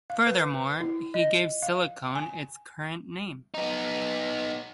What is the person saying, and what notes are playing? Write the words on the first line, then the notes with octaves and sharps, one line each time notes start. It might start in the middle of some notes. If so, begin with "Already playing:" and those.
Furthermore, he gave silicon its current name.
F5
B4
E4
D#5
F5
G#5
B3 D#4